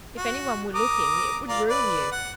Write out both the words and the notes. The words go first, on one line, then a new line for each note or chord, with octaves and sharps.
If any one were looking, it would ruin you.
F#4
A#4 D6 D#6
F4 A#4 D5
B4 D5
F#5